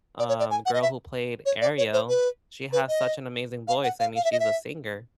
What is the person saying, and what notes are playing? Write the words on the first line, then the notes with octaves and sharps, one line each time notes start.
um, girl who played Ariel, she has such an amazing voice. I mean, she's a singer.
D5
C#5
D5
G#5
F#5
D#5
E5
C#5
D5
C#5
C5
B4
B4
D#5
F5
F#5
F5
F5
E5
D#5
E5